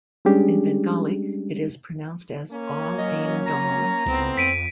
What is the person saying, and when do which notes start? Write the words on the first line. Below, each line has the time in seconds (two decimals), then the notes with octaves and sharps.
In Bengali, it is pronounced as "Awe-Reen-Daum".
0.25 G3 G#3 C#4 D4 G4 G#4
2.51 A#3 C#4
2.98 F#3 D#5
3.46 A#5
4.06 C#2 A2 B3 C4
4.37 F2 B6 D7 D#7